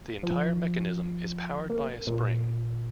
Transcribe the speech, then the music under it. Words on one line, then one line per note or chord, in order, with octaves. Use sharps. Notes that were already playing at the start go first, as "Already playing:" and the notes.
The entire mechanism is powered by a spring.
F3
A#3
A#2